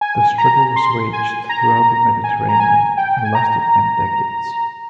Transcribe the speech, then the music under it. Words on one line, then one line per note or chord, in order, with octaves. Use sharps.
This struggle was waged throughout the Mediterranean and lasted many decades.
G#5
A#5
C6
G#5
A#5
G#5
A#5
G#5
G5
G#5
A#5